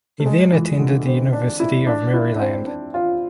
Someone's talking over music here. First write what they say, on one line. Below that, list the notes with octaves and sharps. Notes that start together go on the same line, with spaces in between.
He then attended the University of Maryland.
A3
G#3
E3
D3
C4
D4
E4
D4
E4
D4
C4
D4
F4